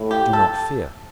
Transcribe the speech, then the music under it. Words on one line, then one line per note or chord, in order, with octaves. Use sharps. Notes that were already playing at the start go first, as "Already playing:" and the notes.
Do not fear.
Already playing: A2
G4
A4